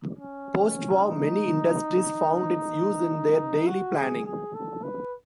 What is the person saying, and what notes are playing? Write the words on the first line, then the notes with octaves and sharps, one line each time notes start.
Postwar, many industries found its use in their daily planning.
C#4
D#4
F#4
G#4
G#4
A4
B4